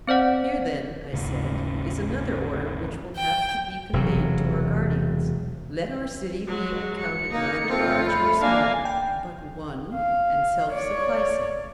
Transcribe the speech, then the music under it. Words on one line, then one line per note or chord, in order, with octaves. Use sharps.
Here then, I said, is another order which will have to be conveyed to our guardians: Let our city be accounted neither large nor small, but one and self-sufficing.
C4 C5 D5 F#5
G#1 D#2 C#3
G5
E1 C3 F#3
F#3 G#3
C#7
A#3 D#4
F2 A3 C4 F4 A4
B5
A#3 D4 F5 G#5
G5
F5
C#5 D5